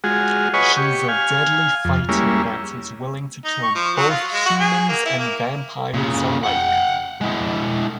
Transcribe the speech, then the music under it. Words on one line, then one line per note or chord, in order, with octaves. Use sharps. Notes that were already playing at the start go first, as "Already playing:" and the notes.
She's a deadly fighter that is willing to kill both humans and vampires alike.
G#3 F4 F#4 G#4
B4 C#5 D#5 F#5 G#5 C#6
G4 C#6
F5 G#5
F2
G3 G#3 A#3 C#4 E4
D#4
C#6
F3
F#3
F4
G#3
F#4
G#4
A#3
E4
A#3
A#2 C#3
F#5 G5
G#3 E4